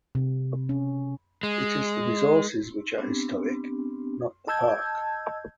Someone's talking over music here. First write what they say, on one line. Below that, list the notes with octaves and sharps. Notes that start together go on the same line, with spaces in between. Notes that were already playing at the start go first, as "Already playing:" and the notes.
It is the resources which are historic, not the park.
C3
C#4
G#3
B3 C4 D4 G4
D#5 A5 E6 G6 G#6